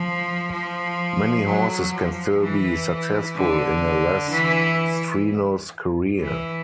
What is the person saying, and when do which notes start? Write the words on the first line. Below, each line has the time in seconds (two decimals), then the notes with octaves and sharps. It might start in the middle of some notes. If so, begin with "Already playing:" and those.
Many horses can still be successful in a less-strenuous career.
Already playing: F3
0.52 F3
1.46 F#3
1.94 F3
2.42 E3
3.35 D3
4.31 E3
6.19 E3